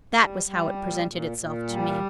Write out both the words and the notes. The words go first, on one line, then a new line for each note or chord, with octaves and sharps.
That was how it presented itself to me.
G3
G3
A#2
A#2
A#2
G3